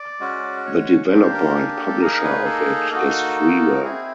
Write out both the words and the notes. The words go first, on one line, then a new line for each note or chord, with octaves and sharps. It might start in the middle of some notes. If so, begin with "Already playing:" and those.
The developer and publisher of it is freeware.
Already playing: D5
G#3 C#4 F#4
C#5
A#3 D4 G4 C5
A#4
G#4
A4
A4
A#3 D#4 G#4 A#4
B4
A4
A#3 D#4 F#4
C4 E4 G#4